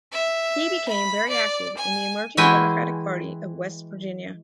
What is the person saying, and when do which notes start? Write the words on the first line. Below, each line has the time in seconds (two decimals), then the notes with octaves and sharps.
He became very active in the emerging Democratic Party of West Virginia.
0.12 E5
0.88 B5
1.29 D5
1.77 G#5
2.37 E3 G#3 E4 F#4 G5 G#5